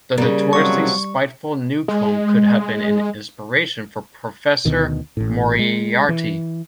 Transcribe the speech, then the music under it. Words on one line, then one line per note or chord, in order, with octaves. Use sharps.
The notoriously spiteful Newcomb could have been an inspiration for Professor Moriarty.
C#3 G3 A#3
C3 F3 F#3 C#6
G#3
D2 B2 D#3
A1 A2
G#3
E3